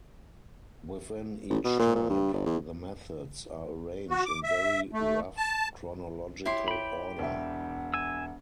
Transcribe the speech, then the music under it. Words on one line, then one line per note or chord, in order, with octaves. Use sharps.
Within each type, the methods are arranged in very rough chronological order.
A1
B2
A#2
A#2
G2
G1
E2
F#4
D6
E5
A3
A5
E4 G4 C#5 C6
G5 B5
E1 E5 F#5
G#5 E6